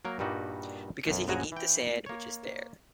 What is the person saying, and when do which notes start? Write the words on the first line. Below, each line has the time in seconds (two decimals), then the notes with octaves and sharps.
Because he can eat the sand which is there.
0.05 F#3 A#3 A#4
0.19 G2 A#2 G3 D#4 F#4
1.07 B1 F#2
1.28 A#1 F#2 C#3 F#4 G#5 A#5
1.52 E3 G5
2.06 A#3 C#5